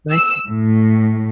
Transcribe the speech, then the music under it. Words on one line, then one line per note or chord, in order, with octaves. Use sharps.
my thing.
E6
A2